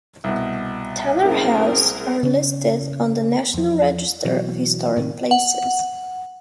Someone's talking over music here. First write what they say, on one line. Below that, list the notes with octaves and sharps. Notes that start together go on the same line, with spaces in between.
Tanner House are listed on the National Register of Historic Places.
C2 B2
F#1 C4 G#4 A#4
C#3 C#4
E2 F3
B2 E3 F#3
A2 C3 D#3
F#5